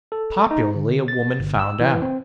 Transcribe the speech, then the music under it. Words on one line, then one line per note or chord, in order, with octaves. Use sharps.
Popularly, a woman found out.
A4
D#4
D3
A6
G1
E6
E3
C4